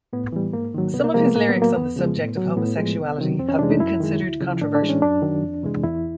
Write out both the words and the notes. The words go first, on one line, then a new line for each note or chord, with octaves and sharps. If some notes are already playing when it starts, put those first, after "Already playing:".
Some of his lyrics on the subject of homosexuality have been considered controversial.
A2 B3
E3 G3
G#2 A#3
D#3 F#3
C2 B3
A#3
C3 F3 G#3 A#3
B3
A2 A#3
B3
F#3
A#3
F2 B3
C#3 F3 G#3
A2
F#3
A2 B3
F3 G#3
C2
C3 D#3 F#3
F2 C4
C#4
C3 E3 G#3 D4
D#4
F#2 E4
D#3 G#3
D2
C#3 F3
A2 D4
D4
E3 G#3
C#4
F#2 D4
D#3 F#3
F2
C3 E3 G#3
E2 E4